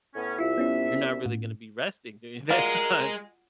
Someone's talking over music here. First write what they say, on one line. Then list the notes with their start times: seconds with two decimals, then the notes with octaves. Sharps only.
you're not really gonna be resting during that time,
0.15 A2 B3 C#4
0.38 C2 E4 F4 E5
0.58 B3 C#4 E4
1.26 A2
2.50 G#3 F4 F#4 G#4 A#4 D5